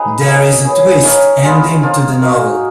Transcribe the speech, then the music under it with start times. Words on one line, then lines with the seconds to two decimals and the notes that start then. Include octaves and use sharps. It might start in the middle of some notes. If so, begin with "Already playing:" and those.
There is a twist ending to the novel.
Already playing: D#4 G#4 B4 F5
0.25 A#3 C#4 G#4 D#5
0.64 C#4 G#4 B4
1.03 D#4 A#4 C#5 F5
1.43 B3 F4 G#4
1.83 F3 A#3 F4
2.21 A#3 D#4 F#4